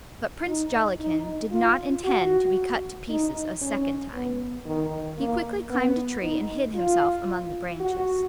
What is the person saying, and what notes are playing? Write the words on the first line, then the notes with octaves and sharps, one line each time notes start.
But Prince Jollikin did not intend to be cut to pieces a second time. He quickly climbed a tree and hid himself among the branches.
D#4
D#4
F4
F#4
D#4
C#4
B3
D#3
A#3
B3
D#4
F4
F#4